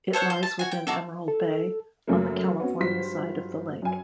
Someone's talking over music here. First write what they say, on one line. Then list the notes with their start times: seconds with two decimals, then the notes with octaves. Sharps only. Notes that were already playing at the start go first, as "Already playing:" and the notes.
It lies within Emerald Bay, on the California side of the lake.
0.13 A4 C5 C#5 F#5
0.30 C5
0.43 A5
0.59 F#4 G#5
0.71 G5
0.87 A#3 F#4 A4
1.28 A4
2.07 F#2 C#3 A3 A#3
2.60 B3 C#4 F#4
2.80 G2 F#3 F4 C5 C6 B6
3.82 F#2 G#5